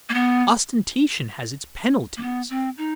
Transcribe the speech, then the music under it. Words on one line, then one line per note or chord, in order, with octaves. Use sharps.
Ostentation has its penalties.
A#3
B3
A#3
B3
C4
D#4